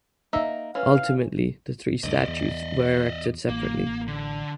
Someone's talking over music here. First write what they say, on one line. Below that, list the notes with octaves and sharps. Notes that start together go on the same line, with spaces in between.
Ultimately the three statues were erected separately.
A#3 D#4 E5
E3 C#4 F5
D2 G2 D5 D#5
E2
A1 A#3
D3